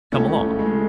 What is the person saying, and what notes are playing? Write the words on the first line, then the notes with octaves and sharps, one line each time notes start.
"Come along."
C#2 A3 C#4
A3
C#3 E3
G#3